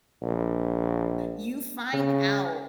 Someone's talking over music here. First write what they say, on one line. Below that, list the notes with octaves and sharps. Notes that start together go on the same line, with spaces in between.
you find out
A#1
C#3